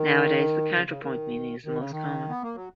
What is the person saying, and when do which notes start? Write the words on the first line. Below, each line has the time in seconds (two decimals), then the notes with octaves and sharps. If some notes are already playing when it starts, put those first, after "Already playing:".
Nowadays the counterpoint meaning is the most common.
Already playing: D#3
0.74 C#3
0.87 C#3
1.01 D#3
1.65 D#3
1.77 C#3
1.91 D#3
2.29 B3
2.43 A#3
2.55 F#3